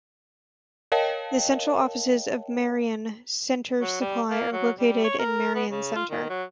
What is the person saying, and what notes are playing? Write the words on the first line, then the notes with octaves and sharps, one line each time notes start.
The central offices of Marion Center Supply are located in Marion Center.
A#4 C#5 D#5 F5 G5 A5
F#3
G3
A#3
F#3
G3
C#5
A#4
B3
C#3
F4
D#3
F#3